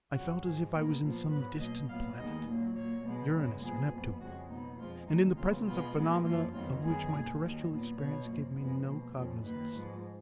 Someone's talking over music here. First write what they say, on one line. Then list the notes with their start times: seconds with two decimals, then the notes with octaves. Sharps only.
I felt as if I was in some distant planet Uranus or Neptune--and in the presence of phenomena of which my terrestrial experience gave me no cognisance.
0.14 F2 C#3 F#3 F#4
0.43 G#2 F3 G#3 G#4
0.72 A#2 G#3 B3 A#4
1.01 A#2 F3 B3
1.29 G#2 F#3 B3 B4
1.59 B2 F#3 A#3 D#5
1.88 A#2 F#3 B3 F5
2.17 D#2 D#3 G#3 B3 D#5
2.46 A#2 F#3 A#3
2.75 A#2 F#3 A#3 C#5
3.04 B2 G#3 B3
3.34 F#2 C#3 G#3 B3
3.62 A#2 F3 B3 G#4
3.91 F2 F3 B3
4.20 F2 C#3 G#3 F#4
4.49 B2 F#3 B3 D#4
4.79 F2 F3 G#3 F4
5.07 D#2 D#3 G#3 D#4
5.37 D#2 C#3 F#3 B3 F4
5.66 B2 G#3 B3 F4
5.96 A#2 G#3 B3
6.24 F#2 F3 A#3 F4
6.53 F2 D#3 F#3 B3 F4
6.82 F#2 D#3 G#3 B3 G#4
7.12 B2 A#3
7.41 D#2 D#3 F#3
7.69 A#2 F#3 B3
7.98 B2 F#3 B3 C#5
8.28 F#2 F3 A#3
8.56 F#2 F3 G#3 B3
8.86 B2 A#3
9.16 F2 C#3 F3
9.44 F#2 D#3 A#3 B4
9.73 G#2 F3 G#3